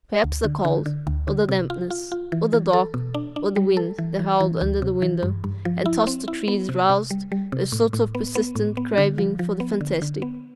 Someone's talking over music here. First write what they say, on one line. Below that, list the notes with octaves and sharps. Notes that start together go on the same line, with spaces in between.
Perhaps the cold, or the dampness, or the dark, or the wind that howled under the window and tossed the trees roused a sort of persistent craving for the fantastic.
D2
D3
D3
D3
D2
D3
C3
F4
F4
F4
E3
E3
A4
B2
D4
D4
G3
A4
E3
E3
E3
D2
C3
E3
G2
G2
F3
E4
C4
E4
B3
C3
C3
G3
G3
C3
A2
A2
B3
B3
A2
B3
D3
F3
F3
B3
D3
D3
B3